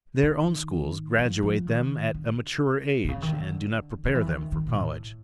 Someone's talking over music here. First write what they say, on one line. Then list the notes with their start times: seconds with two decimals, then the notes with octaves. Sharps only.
Their own schools graduate them at a mature age and do not prepare them for college.
0.23 D#3
1.18 F3
1.43 F3
1.67 D#3
2.14 D3
3.05 C3
3.08 C#3
3.22 D#3
3.32 D3
4.05 D#3
4.15 E3
4.26 D#3
4.52 D#3
4.67 A#2
4.75 A2